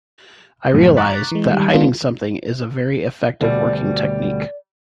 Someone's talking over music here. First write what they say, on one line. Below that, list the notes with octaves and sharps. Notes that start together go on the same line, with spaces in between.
I realized that hiding something is a very effective working technique.
F#2 A2 C3 E3
A#5 C#6 D6 F#6 A6 B6
E3 G#3
D#3 G3
D#3 G#3 B3 D4 F4
D2 B2 G3 D5
D5